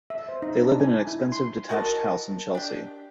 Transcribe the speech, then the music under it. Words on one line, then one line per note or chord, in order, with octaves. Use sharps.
They live in an expensive detached house in Chelsea.
E5
C5
D#4
D4
G#5
E4
C6
F#4 A#4 D#5 A5
D4 G4